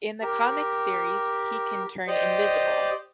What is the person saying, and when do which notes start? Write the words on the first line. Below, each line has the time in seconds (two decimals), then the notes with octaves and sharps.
In the comics series he can turn invisible.
0.22 G4 A#4
2.07 G4 C5 D5 D#5